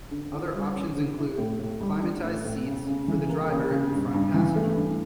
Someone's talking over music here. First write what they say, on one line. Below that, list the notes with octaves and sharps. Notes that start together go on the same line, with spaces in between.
Other options include climatised seats for the driver and front passenger.
D3
E4
G3
C#4
D3
E4
A2
A2
G3
D4
A2
A2
C#3
C#3
E3
A#3
C#3
C#3
G2
G2
E3
A3
G2